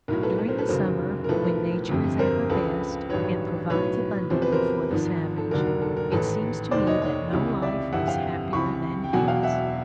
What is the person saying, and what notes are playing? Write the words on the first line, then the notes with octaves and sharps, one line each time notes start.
During the summer, when Nature is at her best, and provides abundantly for the savage, it seems to me that no life is happier than his!
B1 A2 F#3 A#4
A4 B4
A4 B4
A#4 C5
A4 B4
F1 D#2 C#3 F#3 A#4 C5
A#4
B1 A2 F3 A4 B4
A#4
G1 F2 C3
A#4 C5
C#2 C#3 F3 A4 B4
A1 G2 D#3 F#3 B4 C#5
B1 A2 F#3 B4 C#5
E2 C3 F3 C5
B4
A#4 C5
G#1 G#2 F3
A4
F1 D#2 D3 F#3 A#4
A#4
A4
A#4
A1 G#2 D#3 A4 B4
F1 D#2 D#3 C5 D5
C#5 D#5
C#5 D#5
C#2 C3 E3
D5 E5
G1 F2 C3 E3 E5 F#5
F5 G5
C#2 C3 E3 B5 C#6
G5
E1 E2 B2 F#3 F#5 G#5
F5 G5
E5 F#5